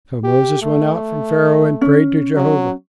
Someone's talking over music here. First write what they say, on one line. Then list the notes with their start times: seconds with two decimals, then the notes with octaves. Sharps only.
So Moses went out from Pharaoh and prayed to Jehovah.
0.24 G4
0.63 A3
1.81 C#4
2.37 F#3